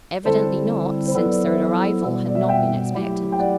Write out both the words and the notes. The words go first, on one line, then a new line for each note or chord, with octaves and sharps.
Evidently not, since their arrival had not been expected.
D3 G3 C4 E4 A4 C5
C5
F#3 B3 E4 A4 B4 D5
B4 D5
C5 E5
B2 G3 B3
D5
E5
F#5
E5 G5
F#3 A3 E4 G4
G5
D5 F#5